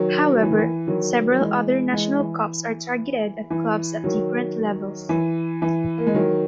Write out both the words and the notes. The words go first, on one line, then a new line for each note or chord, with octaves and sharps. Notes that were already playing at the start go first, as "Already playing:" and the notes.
However, several other national cups are targeted at clubs at different levels.
Already playing: D#3 F#3
F#3
E3
D#3
E3
D#3 F#3
F#3
E3 G#3
E3 G#3
E3
E3
D#3 F#3
E3
E3
A#3
G#3
D#3 F#3